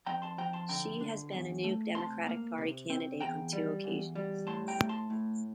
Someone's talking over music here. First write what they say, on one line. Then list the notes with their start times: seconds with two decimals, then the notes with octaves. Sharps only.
She has been a New Democratic Party candidate on two occasions.
0.06 F2 G5 A#5
0.22 A5 C6
0.38 F3 G5 A#5
0.53 A5 C6
0.69 D3 G5 A#5
1.01 D4
1.32 E2
1.64 A3
1.95 C3 A5 C6
2.26 A#3
2.58 C3
2.90 C4
3.21 E2 G5 A#5
3.53 G3
3.84 E2
4.15 G3
4.47 A2 A5 C6
4.68 G5 A#5
4.79 A3
4.89 A5 C6
5.10 A2